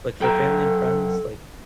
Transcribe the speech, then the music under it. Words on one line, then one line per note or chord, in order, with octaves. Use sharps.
like for family and friends, like,
F#2 A4 G5 A#5